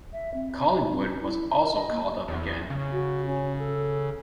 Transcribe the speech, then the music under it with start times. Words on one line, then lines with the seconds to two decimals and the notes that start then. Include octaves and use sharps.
Collingwood was also called up again.
0.13 E5
0.34 C4
0.70 F#4
0.91 C4
1.07 C#4
1.22 E4
1.63 A#4
1.74 D#5
1.91 A#3
2.28 E2
2.70 C#3
2.92 F#4
3.26 C#4
3.59 A4